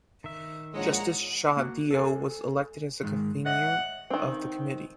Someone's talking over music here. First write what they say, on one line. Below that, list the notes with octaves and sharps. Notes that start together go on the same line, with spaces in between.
Justice Shahdeo was elected as the convener of the committee.
D#3 E5
A#1 G#3 C#5 F#5 A#5
A#3 F#4
A4 C5 G#5
G#2 D#3 G#3
C#5 D#5 E5 F#5
D#3 C4